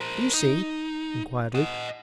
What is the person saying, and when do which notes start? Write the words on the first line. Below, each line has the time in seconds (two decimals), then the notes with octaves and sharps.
Do you see?' inquired Luke.
0.01 A#4 C5
0.33 D#4
1.55 D#5 F#5